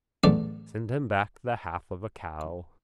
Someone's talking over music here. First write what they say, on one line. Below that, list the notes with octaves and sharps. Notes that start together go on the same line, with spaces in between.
Send him back the half of a cow.
A1 E2 F#3 A3 A4 D5